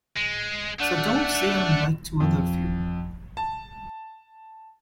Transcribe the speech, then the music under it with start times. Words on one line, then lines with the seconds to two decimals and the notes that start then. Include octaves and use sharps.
So don't say I'm like to other few.
0.17 G#3
0.80 A3 D4 F#5
2.20 F2
3.37 A5